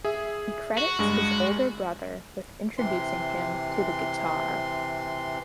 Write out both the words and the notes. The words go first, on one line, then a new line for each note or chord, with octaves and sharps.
He credits his older brother with introducing him to the guitar.
G#4 E5
F#4
G2 G#3
C3 E3 C6